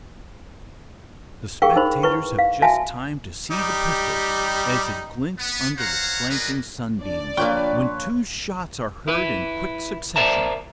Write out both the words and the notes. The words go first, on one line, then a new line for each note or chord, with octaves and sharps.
The spectators have just time to see the pistol--as it glints under the slanting sunbeams--when two shots are heard in quick succession.
G4 G#4 A#4 F5 G5 C#6
D#4 A#4 C5 B5
E4 B4 C#6
F5
F#4 E5 F5 G#5 A5
G3 D#4 G4
B3
C5 C#5 F5 F#5 A#5
F#4 G#4 A#4 B4 D5 D#5
D4 D5
F3 A#3 D4 B4 C#5 G5
E4 B4
A#4 C5 D5 E5 A5 A#5